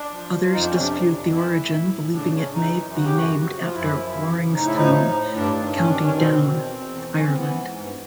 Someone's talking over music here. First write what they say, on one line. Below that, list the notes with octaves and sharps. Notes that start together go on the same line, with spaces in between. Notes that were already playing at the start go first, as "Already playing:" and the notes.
Others dispute the origin, believing it may be named after Waringstown, County Down, Ireland.
Already playing: D4
F3
F3
F2 D#4
D4
C3 C#4
D4
F2
F2
E3 E4
A2
A2
A2
C#3 D4
C#3 C#4
E3 D#4
F#2
C#3 F#4
G4
F#2 F#4
C#3
F3
F4
F#2 E4
F3
C#3
C#3
A2 D#4
E4
F3 D#4
A2
A2
G2 D4
D#3
D#3 C#4
D4
D#3
C#4
B2 C4
B2
E2
E2
E3
E3 C#4
C4
E3 B3
G#2
G2